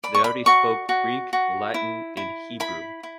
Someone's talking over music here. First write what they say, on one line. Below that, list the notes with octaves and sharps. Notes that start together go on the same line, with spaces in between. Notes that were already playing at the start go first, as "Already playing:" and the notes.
They already spoke Greek, Latin, and Hebrew.
D5 B5
C#6
B5
F#4 C#6
F#4
F#4
E4
E4
E4 B5
E4